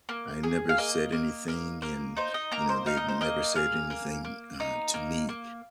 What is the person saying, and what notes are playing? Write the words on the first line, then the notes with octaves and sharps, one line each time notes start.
I never said anything, and, you know, they never said anything, uh, to me.
A#3
G#4
F5
A#3 D#5
A#3
A#3
A#3
D#4 C5
D#5
A#3 A#5
C5
D#4 F5
D#5
C5
A#3 D#5
G#4 F5
A#3
A#3
D#4
A#3
A#3